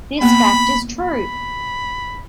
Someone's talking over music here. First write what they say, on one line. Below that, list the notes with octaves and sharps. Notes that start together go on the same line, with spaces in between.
This fact is truth!
A#3 B3 B5
B5